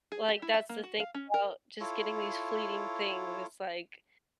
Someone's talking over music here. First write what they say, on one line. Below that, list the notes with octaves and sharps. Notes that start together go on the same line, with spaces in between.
Like, that's the thing about just getting these fleeting things. It's like
G#4
G4
E4
E5
A#3
F#4
F5
C#4
A#4
E4 F4 A4 C#5